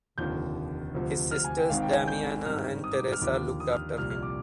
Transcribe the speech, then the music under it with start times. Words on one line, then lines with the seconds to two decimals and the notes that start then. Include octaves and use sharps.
His sisters Damiana and Teresa looked after him.
0.18 F1 D#2 D3 F3 G6
0.95 D2 C3 F3
1.31 F6
1.44 G#5
1.58 G5
1.70 G#1 G#2 D#3 F5
1.82 G5
1.95 G#5
2.08 G6
2.45 G#1 G2 D#3 F6
2.84 D#6
2.93 D6
3.12 F6
3.22 D#2 D3 F3 D6
3.60 D#6
3.72 F6
3.98 C2 A#2 F3 F6
4.10 F6
4.23 D6